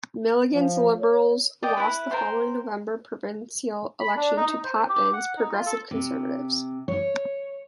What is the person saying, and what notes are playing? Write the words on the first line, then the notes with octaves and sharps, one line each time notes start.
Milligan's Liberals lost the following November provincial election to Pat Binns' Progressive Conservatives.
F3
C#5
D5 D#5 G5
E4 F4 B4 E5
A#4 C5 G5 C6
B5
D4
D#4
D#4
C5
G4
F#5
D#4
F4
A4
C3
C#5